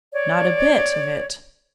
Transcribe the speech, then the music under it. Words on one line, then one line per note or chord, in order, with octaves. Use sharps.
'Not a bit of it.
C#5 D5